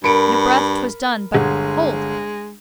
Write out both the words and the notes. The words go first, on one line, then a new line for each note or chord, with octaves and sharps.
In a breath 'twas done but--hold!
G2 A#4 B5 C#7 D7
G1 G#3 G#4 F#5